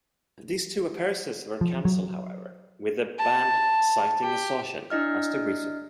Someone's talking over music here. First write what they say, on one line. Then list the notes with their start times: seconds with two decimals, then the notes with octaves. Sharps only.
These two appearances were cancelled, however, with the band citing exhaustion as the reason.
1.61 F3
1.85 F#3
3.19 A5
4.22 G4
4.90 D4 E4 D#5 F6